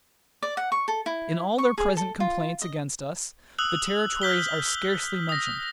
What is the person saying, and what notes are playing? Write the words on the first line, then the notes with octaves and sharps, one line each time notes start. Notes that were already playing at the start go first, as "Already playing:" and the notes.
In all their present complaints against us, the Territories are scarcely mentioned.
D5
F#5
C#6
A4
E4
C#6
G#4
A4
F4
D#5
D#6 E6 F#6 F#7
F6 G6 B6 G7
D#6 A#6